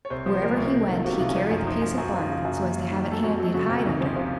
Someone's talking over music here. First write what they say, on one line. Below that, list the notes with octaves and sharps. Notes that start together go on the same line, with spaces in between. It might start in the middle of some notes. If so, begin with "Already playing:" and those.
Wherever he went he carried the piece of bark so as to have it handy to hide under.
C#5
C2 C5
F3
C5
A#2 A#4
C2
C5
C2 A#4
D#3 A4
F4
C3 F#4
D#4
C2 F4
C#4
F3 D#4
F#2
F3 D#4
F#2
F#2 F#4
F3 F4
D#4
C#3 F4
F#2
D#2
F#3
D#3
D#2 A4
F2 F#4
F#3 A4
C#3 F#4
F2
C2 D#4
F3 C#4
C3 F4